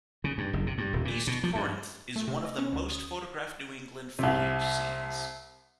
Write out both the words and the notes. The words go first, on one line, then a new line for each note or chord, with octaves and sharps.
East Corinth is one of the most photographed New England foliage scenes.
C#3
G2
F#1
C3
G2
D#1
A#2
B2
F3
G2
A3
C3
D#5
C#4
D2
D#6
C2 C3